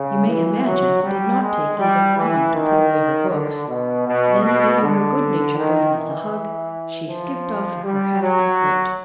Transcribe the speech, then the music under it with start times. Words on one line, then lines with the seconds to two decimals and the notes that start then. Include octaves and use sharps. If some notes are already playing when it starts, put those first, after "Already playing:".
You may imagine it did not take Edith long to put away her books; then giving her good-natured governess a hug she skipped off for her hat and coat.
Already playing: C#3
0.27 E3
0.65 F#3
1.03 G3
1.41 G#3
1.79 G3
2.16 E3
2.54 D#3
3.30 D3
3.68 B2
4.06 B2
4.43 B2
4.81 D3
5.57 D#3
5.95 E3
7.08 F3
7.84 G3
8.21 F#3